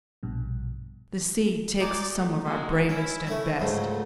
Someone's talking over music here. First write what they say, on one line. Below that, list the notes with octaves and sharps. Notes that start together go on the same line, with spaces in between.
The sea takes some of our bravest and best.
A#1 G2 B2
G#3 D#4 D5
G3 A3
G#3 A#3 F#4
C#4 E4
A3 C#4
C#2 G#2 C#3 F#3 A3